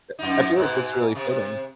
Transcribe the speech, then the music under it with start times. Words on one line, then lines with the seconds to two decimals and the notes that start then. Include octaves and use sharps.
E I feel like that's really fitting.
0.19 F2 D#4
0.56 G#2 B2
1.15 C3